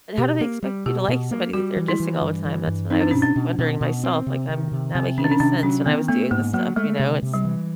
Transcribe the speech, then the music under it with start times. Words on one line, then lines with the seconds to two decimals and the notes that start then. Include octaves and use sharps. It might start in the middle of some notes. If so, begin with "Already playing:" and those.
And how do they expect you to like somebody that they're dissing all the time? That's what I was wondering myself, like, I'm not making any sense when I was doing this stuff, you know, it's
0.18 B2 G4
0.41 A#3
0.63 G3
0.86 B2 G4
1.08 B2
1.31 A#3
1.53 G3 F#4
1.76 E3
1.88 E4
2.00 E3
2.22 G2
2.45 E3
2.67 G2
2.90 C4 D#4
3.01 D4
3.11 B2 C#4
3.22 D4
3.36 B2
3.59 B2
3.81 B2
4.04 C4
4.27 C3
4.49 D#3
4.72 C3
4.95 C3 C4
5.18 D#3 C#4
5.24 D4
5.32 C#4
5.40 C3 D4
5.63 F#3 C#4
5.86 D#3 B3
6.08 A3 B3
6.31 G#2 A#3
6.53 F#3 A#3
6.76 G#3 A3
7.00 C3
7.22 C3
7.34 G3
7.44 E3